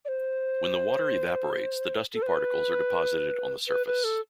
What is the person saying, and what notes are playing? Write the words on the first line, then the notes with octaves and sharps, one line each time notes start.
When the water evaporates, the dusty particles are deposited on the surface.
D5
C5
A4
C5
B4
B4
B4
A4